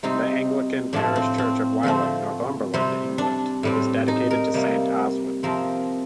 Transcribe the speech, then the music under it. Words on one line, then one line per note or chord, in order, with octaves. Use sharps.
The Anglican Parish Church of Wylam, Northumberland, England is dedicated to Saint Oswin.
C3 G3 C4 D#4
A2 F3 A3 C4 D4
C4
C4
D3 F3 A3 C4
C3 G3 C4
D4
A2 G3 C4
D#4
A#4
C3 G3 A#3
C3 F3 C4 A#4